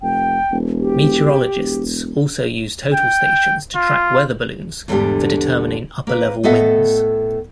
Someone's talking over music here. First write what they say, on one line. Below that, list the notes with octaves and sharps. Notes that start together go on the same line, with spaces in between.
Meteorologists also use total stations to track weather balloons for determining upper-level winds.
F1 G5
E1
G4
E1
G5
F4
E2 G#2 D3 G3 D4 G4
A#3 B4
A2 B3 A4 D#5 E5 F#5